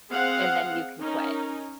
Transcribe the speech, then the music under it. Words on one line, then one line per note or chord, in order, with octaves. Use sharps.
and then you can quit."
C4 G#4 F5 F#5
C#4 D#4 A#4